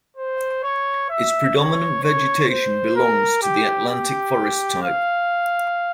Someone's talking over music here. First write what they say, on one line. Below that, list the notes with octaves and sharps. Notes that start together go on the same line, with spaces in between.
Its predominant vegetation belongs to the Atlantic Forest type.
C5
C#5
E5
C#5
C#5
C5
A#4
G4
G4
F5